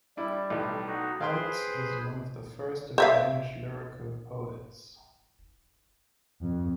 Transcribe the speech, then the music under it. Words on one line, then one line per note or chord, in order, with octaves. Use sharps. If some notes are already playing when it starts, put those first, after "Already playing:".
Hertz is one of the first of Danish lyrical poets.
G3 D4 E4
B1 A2
D#4 F#4
G#4 B4 C5 F5 G5 C6
C5 E5 F5
F2